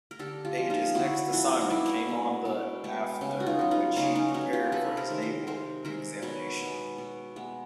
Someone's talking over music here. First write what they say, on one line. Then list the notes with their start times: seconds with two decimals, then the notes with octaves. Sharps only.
Page's next assignment came on the after which he prepared for his naval examination.
0.11 A#4
0.19 D3 G4 A4
0.45 F4 G4
0.57 F3 G#3
0.70 D#4 F4
0.95 D3 E4 F#4
1.32 F3 G#3 E4 F#4
1.61 D#4
1.70 B2 D4 E4
2.08 G#3 B3
2.45 B2
2.84 G#3 B3
3.21 C#3 C#4
3.40 F#4
3.46 D#4 F4
3.59 F#3 B3
3.71 D#4 F4
3.96 C#3 C#4 D#4
4.15 C#4 D#4
4.34 F#3 B3 C#4 D#4
4.53 F4 G4
4.72 C3 A4 B4
4.97 A#4 C5
5.09 D#3 G#3
5.22 A#4 C5
5.47 C3 A#4 C5
5.85 D#3 G#3 A#4 C5
6.22 B2 B4 C#5
6.61 G#3 B3
6.98 B2
7.36 G#3 B3